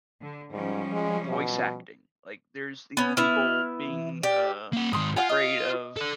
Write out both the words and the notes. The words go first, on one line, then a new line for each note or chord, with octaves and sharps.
voice acting, like, there's even people being, uh, afraid of
D3
G#2 F3 G3 C#4
G#3
B2
B3 C#4
B3 E4 F6
E3
G4 D5
A#3 F#5
G#2 D#3 C6 D#6
F4 F5 F#5 G#5
D#5
A4 D5